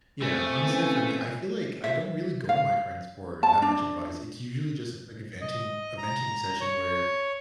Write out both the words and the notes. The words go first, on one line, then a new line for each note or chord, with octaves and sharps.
Yeah. Honestly, for me, I feel like I don't really go to my friends for that much advice. It's usually just a quick venting a venting session where
A3 C4 G#5
C#3 E3 B3
E5
F5
A5
D4
D#5
A#5
C#5